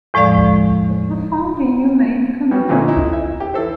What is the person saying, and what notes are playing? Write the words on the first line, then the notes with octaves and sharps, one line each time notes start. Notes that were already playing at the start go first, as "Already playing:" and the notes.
A profoundly humane comedy.
E2 A2 F3 G#3 D5 F5
G3 B3 C#4 F#4
A#2 D3 A3 C4 C#4 D#4
D#4 E4
E5
G4
E3 E4 A4 C5